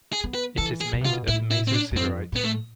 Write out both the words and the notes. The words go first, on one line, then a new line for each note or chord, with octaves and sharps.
It is made of mesosiderite.
G#4
B3
B4
E3 A4
G#4
B2
C3
F4
B2
A2 E4
E4
C4
D4
E2
F2 C4
A2 B3
A3